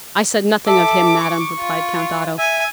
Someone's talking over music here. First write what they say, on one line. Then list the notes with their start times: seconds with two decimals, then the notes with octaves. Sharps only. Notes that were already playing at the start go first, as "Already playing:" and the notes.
"I said nothing of him, madam," replied Count Otto.
0.67 A4 E5 D6
1.21 C#6
1.60 F4
2.38 E5 G#5